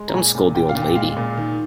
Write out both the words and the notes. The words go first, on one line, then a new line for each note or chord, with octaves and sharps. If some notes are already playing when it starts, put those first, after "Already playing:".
Don't scold the old lady.
Already playing: G#3
A#5
A#2 G#5
A#2
A#2 G5
F5
A#2
G5
G#3 F5
A#2
D#3